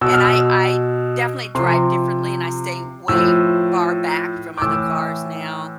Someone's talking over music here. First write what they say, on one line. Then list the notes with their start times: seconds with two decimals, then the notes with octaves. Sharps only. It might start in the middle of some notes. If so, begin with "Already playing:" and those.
And I I definitely drive differently and I stay way far back from other cars now.
0.01 B2 E6
0.14 F6
0.25 E6
1.55 C3 F3 C6
3.08 A2 F3 E6
4.58 D6
4.62 A2 E3 E6